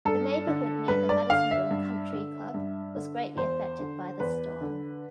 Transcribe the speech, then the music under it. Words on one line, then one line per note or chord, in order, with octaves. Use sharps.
The neighborhood near the Madisonville Country Club was greatly affected by the storm.
G2 A4
D3
G2 B4
D5
D3 F5
E5
G2
D3
G2
D3
E2 C5
D3
E2 B4
D3